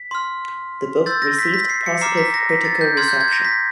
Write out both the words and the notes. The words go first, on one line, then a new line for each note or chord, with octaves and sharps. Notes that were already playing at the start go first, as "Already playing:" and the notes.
The book received positive critical reception.
Already playing: B6
C6 F6
C6 E6 G6 A6
A#6
B6
B6
C7
C#7
A#5 D6 F6 C7
B6
A#6
B6
A6
G6
C6 F6 G#6
G6
G#6
A#6
B6